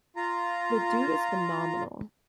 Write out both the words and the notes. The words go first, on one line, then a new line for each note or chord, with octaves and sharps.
The dude is phenomenal.
F4 A#5